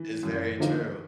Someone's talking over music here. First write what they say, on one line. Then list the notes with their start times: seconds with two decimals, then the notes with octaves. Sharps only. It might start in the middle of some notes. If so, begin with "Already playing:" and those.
It's very true.
Already playing: E3
0.23 F#2
0.58 D3 F3 A#3 D#4